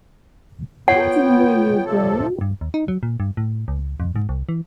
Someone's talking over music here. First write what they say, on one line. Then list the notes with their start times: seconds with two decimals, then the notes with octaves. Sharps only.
I didn't know you were gone.
0.88 B3 F4 C#5 F#5 G5
1.85 C3 F3 A4
2.41 G2
2.61 D#2
2.74 D#4
2.88 F#3
3.03 A#2
3.20 G2
3.37 A2
3.68 C#2
4.00 F2
4.16 G#2
4.29 C2
4.49 E3